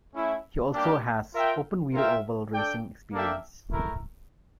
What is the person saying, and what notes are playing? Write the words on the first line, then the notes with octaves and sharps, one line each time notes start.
He also has open-wheel oval racing experience.
A3 C#4 E4
G3 A#3 D4 G4
F4 A#4 E5 G5
F4 A#4 E5 G5
D4 A4 D5 G5
A#3 D4 A4 E5 G5
A3 E4 A#4